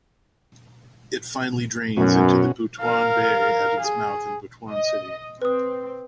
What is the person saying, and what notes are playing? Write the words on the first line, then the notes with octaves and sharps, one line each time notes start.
It finally drains into the Butuan Bay at its mouth in Butuan City.
F#2 B2 C#4 F#4
A#4 F5
G#4
D#5
C4 B4 D#6